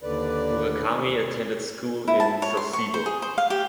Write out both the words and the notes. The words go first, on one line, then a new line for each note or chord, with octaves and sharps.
Murakami attended school in Sasebo.
D#2 D3 B4 D5
E4
A5
C#5
C6
C#6
C5
G#4
C5
F5
G4